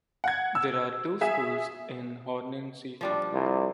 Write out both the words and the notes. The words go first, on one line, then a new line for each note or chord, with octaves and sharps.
There are two schools in Horningsea Park.
F#5 G#6
E6
G#4 E5 G#5
F3 G3 D4
C2